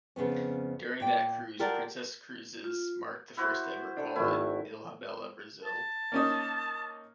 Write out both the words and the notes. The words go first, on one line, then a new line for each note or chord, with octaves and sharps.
During that cruise Princess Cruises marked the first ever call in Ilhabela, Brazil.
F2 C#3 B3 C#4
A#2 G5
F4 G4 A4 A#4 D5 F#5
F4
E4 F#4 C5
D4 A4
G#1 A3 E4
A5
A#3 C#4 D#4